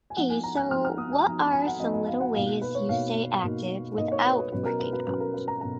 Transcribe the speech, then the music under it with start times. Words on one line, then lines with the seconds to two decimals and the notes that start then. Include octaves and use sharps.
Hey, so what are some little ways you stay active without working out?
0.10 G#5
0.17 F3 B3 D#4 F#5
0.30 G#5
0.44 A#5
0.57 F#6
0.71 F3 B3 D#4 F6
0.85 F6
0.98 D#6
1.12 G#5
1.25 F3 B3 D#4 A#5
1.39 B5
1.53 G#5
1.66 F#5
1.80 F3 B3 D#4 D#5
1.94 D#5
2.07 F5
2.21 F#5
2.34 B2 A#3 D#4 F5
2.62 B4
2.75 C#5
2.89 B2 A#3 D#4 F5
3.44 B2 A#3 D#4
3.98 B2 A#3 D#4 D#5
4.12 C#5
4.26 B4
4.38 B4
4.52 B2 F#3 C#4 B4
4.66 A#4
4.80 B4
4.93 B4
5.07 B2 F#3 C#4 B4
5.20 A#4
5.34 B4
5.48 A#5
5.61 B2 F#3 C#4 A#5